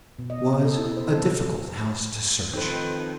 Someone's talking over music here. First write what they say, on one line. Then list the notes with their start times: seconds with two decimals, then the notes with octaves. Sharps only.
It was a difficult house to search.
0.19 B2
0.30 D#5
0.64 A4
0.78 E4
0.97 C5
1.12 A4
2.54 D#3 F3 C4 D#4 A4 B4 C5